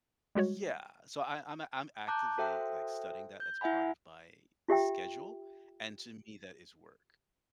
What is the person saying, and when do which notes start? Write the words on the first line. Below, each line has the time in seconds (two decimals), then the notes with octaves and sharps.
Yeah, so I I'm a I'm actively, like, studying that, that's part of my schedule, and to me, that is work.
0.35 G3 G#3 F#4 C#5
2.08 A5 A#5 D6 F#6 G6
2.38 F#4 A4 C5 E5 G5
3.40 G6
3.61 E4 E5 F#5 G#5 B5
4.68 F4 G4 E5 G5